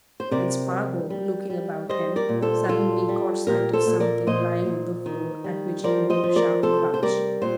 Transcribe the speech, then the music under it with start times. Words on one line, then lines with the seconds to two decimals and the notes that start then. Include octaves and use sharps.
And Spargo, looking about him, suddenly caught sight of something lying on the floor at which he made a sharp clutch.
0.20 C5
0.31 C3 A#4 D5
0.71 G3
1.10 G3
1.50 G3
1.89 G3 C5 D#5
2.16 A#4 D5
2.29 A#2
2.42 A4 C5
2.68 G3 F4 A4
3.09 G3
3.47 A#2 G4 A#4
3.73 A4 C5
3.87 A#2
4.00 A#4 D5
4.27 A#2 C5 D#5
4.66 A#2
5.06 D#3
5.44 G3
5.84 F3 A#4 D5
6.10 C5 D#5
6.23 F3
6.36 A#4 D5
6.62 C3 A4 C5
6.94 C5
7.02 G3 A#4 D5
7.42 A#2 C5